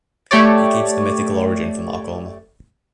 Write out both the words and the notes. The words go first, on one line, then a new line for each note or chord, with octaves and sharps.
He keeps the mythical origin for Marcomer.
A3 G4 C#5 D5